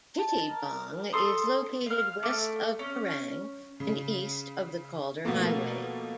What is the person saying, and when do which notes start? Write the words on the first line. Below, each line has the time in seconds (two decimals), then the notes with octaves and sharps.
Tittybong is located west of Kerang and east of the Calder Highway.
0.16 D#5 A5
0.48 A#4
1.13 A4 C6 D#6
1.86 F5 F6
2.23 A3 D6
2.79 C#4
3.80 C#3
5.25 B2 F3 A3 A#3